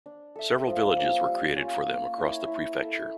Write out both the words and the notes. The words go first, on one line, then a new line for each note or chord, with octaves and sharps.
Several villages were created for them across the prefecture.
D4
A4 E5
F3
A#3 C#4
G3
C#4 F4
A#3
E4 A#4 C#5
E4
A4 E5